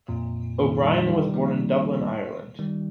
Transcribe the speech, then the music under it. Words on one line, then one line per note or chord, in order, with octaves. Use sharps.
O'Byrne was born in Dublin, Ireland.
F2 A#2
A#2 D#3
D#3 G3
D#3 G3
F3 A#3
D#3 G3